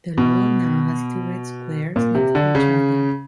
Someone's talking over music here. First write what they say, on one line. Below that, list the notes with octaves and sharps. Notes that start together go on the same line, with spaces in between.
The logo now has two red squares next to each other.
B2
A#2
C3
D3
C#3